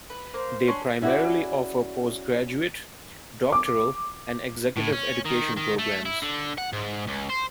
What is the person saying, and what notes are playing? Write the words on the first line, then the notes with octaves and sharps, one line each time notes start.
They primarily offer postgraduate, doctoral and executive education programmes.
B4
A#3 C5
C#4 D4 C6
C#4 E4 F#4 G#4 D5
D6
A2
C#4
D#3
D#3
A3
E4
D3
F#5
G#2
C#2
C5